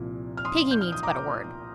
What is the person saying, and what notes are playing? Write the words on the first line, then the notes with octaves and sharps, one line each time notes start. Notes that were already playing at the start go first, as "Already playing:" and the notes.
Piggy needs but a word.
Already playing: C2 A#2 F3
F6
C6 D#6
G6
F6
D#6
A#5 D6